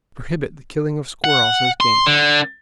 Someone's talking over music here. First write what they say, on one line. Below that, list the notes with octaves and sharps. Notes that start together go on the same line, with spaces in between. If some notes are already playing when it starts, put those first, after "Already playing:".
Prohibit the killing of squirrels as "game."
F#5
C6
D3